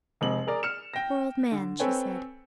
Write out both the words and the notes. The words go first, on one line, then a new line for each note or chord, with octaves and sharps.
"Poor old man!" she said.
F1 G#3 F#7
G#4 A#4 D5
F6 C#7 E7
G5 A#6
D3
C4 A4 B4 C#5 G5 G#5